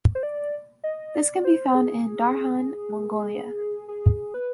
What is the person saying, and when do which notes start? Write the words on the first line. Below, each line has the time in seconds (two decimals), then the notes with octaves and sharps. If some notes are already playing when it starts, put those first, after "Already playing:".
This can be found in Darhan, Mongolia.
0.15 C5
0.23 D5
0.84 D#5
1.15 D5
1.45 C5
1.75 G#4
3.88 G#4
4.34 B4